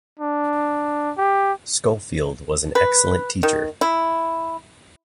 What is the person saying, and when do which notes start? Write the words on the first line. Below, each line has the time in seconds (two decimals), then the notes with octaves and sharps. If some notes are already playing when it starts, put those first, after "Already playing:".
Scholefield was an excellent teacher.
0.19 D4
1.17 G4
2.75 B4
3.43 D#3
3.81 E4